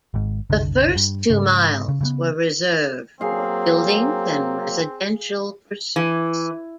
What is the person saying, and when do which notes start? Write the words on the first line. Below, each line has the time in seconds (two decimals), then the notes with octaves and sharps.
The first two miles were reserved for buildings and residential pursuits.
0.14 G#1 G#2
0.50 F#1 C2 D3
0.96 G2
1.30 G#2 C#3
1.88 C#3
2.01 C#3 G3 B3
3.21 F#3 A#3 C4 G#4 F5
5.96 E3